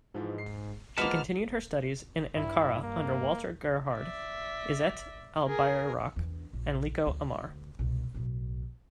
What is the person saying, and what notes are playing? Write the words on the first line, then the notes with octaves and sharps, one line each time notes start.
She continued her studies in Ankara under Walter Gerhard, Izzet Albayrak and Lico Amar.
G#2 E3 F3
C7
F3 G#3 A#3 B4 D#5 F#5 A5 F6
G2 E4
A#3
D5 E5
G#4 A#4
E2 D4
A#1
D2
C2 B2
B1 A2